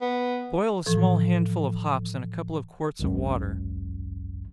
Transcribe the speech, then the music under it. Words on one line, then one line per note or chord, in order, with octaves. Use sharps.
Boil a small handful of hops in a couple of quarts of water.
B3
A2 E3 F3 A4
G#1 C#2 F#2